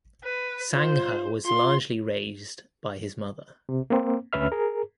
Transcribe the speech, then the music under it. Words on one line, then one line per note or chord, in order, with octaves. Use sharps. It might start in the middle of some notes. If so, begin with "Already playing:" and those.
Sangha was largely raised by his mother.
B4
F4 C5
F4 C6
C3
A#3 C4
D2 C#4 B4 E5 F6
G#4 A#4